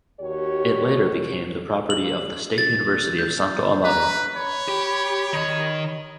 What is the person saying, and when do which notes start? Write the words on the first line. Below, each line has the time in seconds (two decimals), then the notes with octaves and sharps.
It later became the property of the State University of Santo Amaro.
0.21 D#2 F#4 G4 C#5
1.90 F#7
2.58 A6
3.19 G6
3.84 B4 A#5
4.34 C#5 B5
4.68 G4
5.33 D#3 D#5